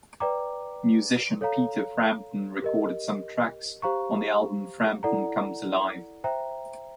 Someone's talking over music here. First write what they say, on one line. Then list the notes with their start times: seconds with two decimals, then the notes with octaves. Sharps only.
Musician Peter Frampton recorded some tracks on the album Frampton Comes Alive!
0.20 B4 D5 G5 A#5 D6
1.41 A4 C#5 F5 A#5
2.62 G4 A#4 D#5
3.82 G4 C5 F5 A#5 C#6
5.03 E4 A4 D5 F#5 A#5
6.24 C5 E5 G5 A#5